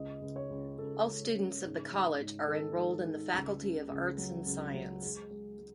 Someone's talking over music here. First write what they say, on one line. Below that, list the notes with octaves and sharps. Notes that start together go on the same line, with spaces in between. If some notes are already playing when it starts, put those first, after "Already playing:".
All students of the College are enrolled in the Faculty of Arts and Science.
Already playing: C#2 D#5
C#2
C#5
C#2
C#2 A4
G#3
C#3
G#2
G#2
G#2
D#3 A4
G#3
G#2
C#2
C#3
C#2
F#3
C#2
F#3
G#3
G#3
G#3